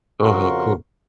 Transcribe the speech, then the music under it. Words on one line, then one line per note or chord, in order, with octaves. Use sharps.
Oh, how cool.
F2 C#3 F#4 A#4 C6 C#6